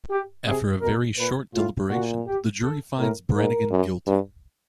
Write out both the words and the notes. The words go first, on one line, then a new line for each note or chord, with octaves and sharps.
After a very short deliberation, the jury finds Brannigan guilty.
G4
C3 G#4
B2 A#4
A#2 B4
A2 F4
A#2 F#4
G4
A4
A2 A#4
G#2 A#4
F#2
G2